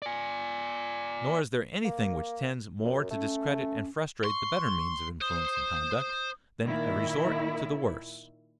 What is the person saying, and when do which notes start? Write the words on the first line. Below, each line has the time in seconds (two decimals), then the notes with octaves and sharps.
Nor is there anything which tends more to discredit and frustrate the better means of influencing conduct, than a resort to the worse.
0.02 D5 G#5
1.85 A#3
2.84 F#2
3.11 A3 C#4
4.24 C6 C#6
5.21 C5 D#6
6.66 A#2 D#3 E4